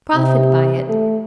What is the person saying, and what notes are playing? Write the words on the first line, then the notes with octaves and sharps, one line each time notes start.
Profit by it.
C3
A3